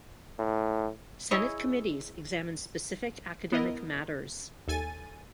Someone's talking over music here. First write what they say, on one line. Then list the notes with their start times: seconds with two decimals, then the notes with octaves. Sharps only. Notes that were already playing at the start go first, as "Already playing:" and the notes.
Senate committees examine specific academic matters.
0.39 A2
1.31 E4 G#4 C#5 D#5
3.52 B3 E4 A#4 D#5
4.68 D#2 A4 G#5 A6 D#7